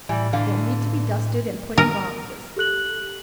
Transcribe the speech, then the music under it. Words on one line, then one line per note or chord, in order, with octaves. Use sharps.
They'll need to be dusted and put in boxes.
A2 E3 G3
A2 D3 E3 F5
A#4
G4 A4 F#6 F#7